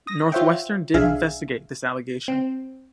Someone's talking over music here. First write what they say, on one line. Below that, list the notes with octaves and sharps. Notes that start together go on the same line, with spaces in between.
Northwestern did investigate this allegation.
D#6 A#6
F4 C5 C#5 E5 F#5 G5
B1 D4 G#4 E5 F5 G#5
C4